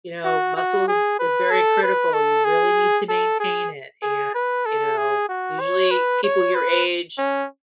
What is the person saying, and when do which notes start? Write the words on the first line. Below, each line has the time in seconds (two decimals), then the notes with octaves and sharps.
you know, muscles is very critical. You really need to maintain it. And, you know, usually people your age,
0.25 F#4
0.57 F#4
0.88 G#4
1.19 B4
1.51 A4
1.83 B4
2.14 A4
2.45 G#4
3.09 A4
3.40 G#4
4.03 G#4
4.35 B4
4.66 A4
4.97 G#4
5.29 F#4
5.60 C#5
5.91 B4
6.24 C#5
6.55 B4
7.18 C#4